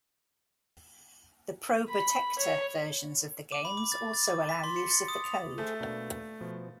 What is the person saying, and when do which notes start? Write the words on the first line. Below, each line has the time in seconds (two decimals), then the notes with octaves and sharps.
The Probotector versions of the games also allow use of the code.
1.89 B5
2.39 C#5
3.52 D6
3.65 B5
3.77 D6
3.92 A6
4.14 A6
4.27 D6
4.49 B6
4.64 C6
4.76 C#7
4.91 A6
5.08 D#6
5.24 F7
5.58 A3 G#4 A4 C5
5.80 B2 A#3 D4
6.41 B2 F3